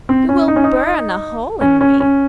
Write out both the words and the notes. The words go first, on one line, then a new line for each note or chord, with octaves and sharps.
You will burn a hole in me.
C4
C#4
D#4
C#4
D#4
C#4
C#4
C#4